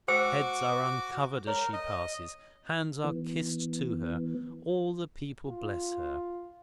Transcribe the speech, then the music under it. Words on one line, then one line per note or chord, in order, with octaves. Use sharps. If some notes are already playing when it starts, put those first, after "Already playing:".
Heads are uncovered as she passes, hands are kissed to her, all the people bless her.
F#4 C5 G5 D6 E6
A#4 C#5
D#5
E3 B3
F4